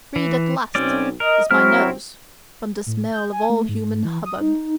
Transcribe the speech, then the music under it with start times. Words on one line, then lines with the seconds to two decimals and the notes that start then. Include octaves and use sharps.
Freed at last is my nose from the smell of all human hubbub!
0.16 E3
0.75 B1 C4 C#4 D5
1.20 A#4 D#5
1.51 F#3 C4 E4 F6
2.86 A2
3.12 G6
3.32 G#5
3.50 A3
3.69 G#2
4.05 E3
4.26 D#6
4.41 D#4